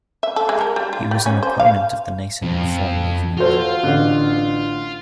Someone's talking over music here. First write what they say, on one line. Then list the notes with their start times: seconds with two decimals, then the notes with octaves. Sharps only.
He was an opponent of the nascent Reform movement.
0.23 E5
0.36 A4
0.49 G#3
0.61 A#4
0.76 G3
0.93 F4
1.11 G3
1.26 C#4
1.43 C5
1.60 F5
2.42 F2
3.38 F4 F#4 A4 C5
3.83 A1 D3 F#6